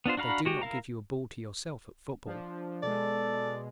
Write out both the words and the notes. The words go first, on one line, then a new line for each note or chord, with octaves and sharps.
They do not give you a ball to yourself at football.
B3 D4 F4 C5
D4 F#4 F5 A#5 B5
G#3 F#4 G4
E4 A#4 F5 A#5
F3 D4
B2 G#3 A4 D5